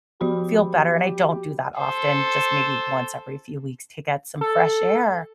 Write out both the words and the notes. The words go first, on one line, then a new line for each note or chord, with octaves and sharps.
feel better and I don't do that often, just maybe once every few weeks to get some fresh air.
F3 F#4 G4 B5
A4 C5
A4